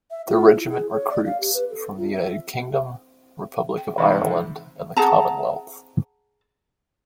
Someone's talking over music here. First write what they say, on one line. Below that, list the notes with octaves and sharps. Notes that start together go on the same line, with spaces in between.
The Regiment recruits from the United Kingdom, Republic of Ireland and the Commonwealth.
E5
F4
E4
G#4
C#5
D5
F5
G4
B4
A4
F4
E5
G5
G#2 C3 E3
G#4 F#5 A5 A#5